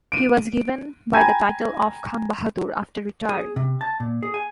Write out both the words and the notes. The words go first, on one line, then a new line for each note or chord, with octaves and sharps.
He was given by the title of Khan Bahadur after retiring.
D7 D#7
G5 G#5 A#5 B5 G#6 D#7
G#4
C3
A5
A#2
G#4
G#5